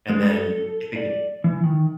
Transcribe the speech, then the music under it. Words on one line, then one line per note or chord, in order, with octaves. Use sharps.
and then if it gets
G#3
A4
D5
E3
D#3